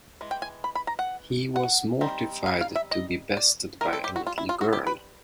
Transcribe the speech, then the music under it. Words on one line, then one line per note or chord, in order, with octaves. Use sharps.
He was mortified to be bested by a little girl.
E3 G#3
G5
G#5
B5
B5
A#5
F#5
F#5
G3 C4 D#4
F5
F5
E5
D#5
D5
G3 C4 E4 A#4
A4
G4
F#4
F4
E4
F4
F#4
G4
B4